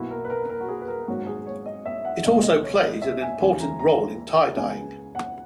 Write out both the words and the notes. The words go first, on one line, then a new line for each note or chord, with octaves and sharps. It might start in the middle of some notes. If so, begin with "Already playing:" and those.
It also played an important role in tie-dyeing.
Already playing: B1 B2 A#3 E4 F#4
A#4
B4
A#4
A#4
F#4
G#4
B4
A#4
G#1 G#2 F#3 C#4 F#4
G#4
C#5
D#5
E5
F#5
C#2 B2 F#3 B3 D#5
D#5
C#5
D#5
E5
G#5
D#2 C#3 E3 G#5
A#5
A#5
C#2 C#3 G#3 B3 G#5
F#5